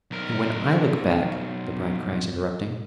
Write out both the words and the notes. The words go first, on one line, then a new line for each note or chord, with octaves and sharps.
'And when I look back--' the bride cries, interrupting.
B1 A#4